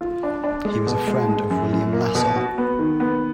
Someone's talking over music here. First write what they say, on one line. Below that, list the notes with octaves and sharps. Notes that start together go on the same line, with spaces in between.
He was a friend of William Lassell.
F4
D4
D4
G#3
B2
G#3
G#3
F#2
F#2
A#3
B2
F#4
B3
D#3
B3